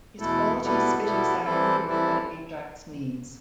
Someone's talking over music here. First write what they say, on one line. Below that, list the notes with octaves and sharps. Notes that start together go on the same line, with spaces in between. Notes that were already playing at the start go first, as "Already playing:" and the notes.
His qualities fit exactly with what Ajax needs.
E2 B2 A3 E4 A4
B2 G3 B3 E4 A4
B2 G3 B3 E4 A4
E3 G3 C4 E4 A4
E3 G3 C4 E4 A4